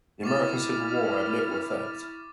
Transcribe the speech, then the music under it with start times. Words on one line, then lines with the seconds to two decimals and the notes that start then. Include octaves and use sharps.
The American Civil War had little effect.
0.24 E4 C#6 D6 F6 A6